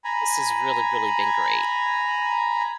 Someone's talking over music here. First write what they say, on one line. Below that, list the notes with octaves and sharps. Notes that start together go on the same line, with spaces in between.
this has really, really been great.
G#5 A#5 B5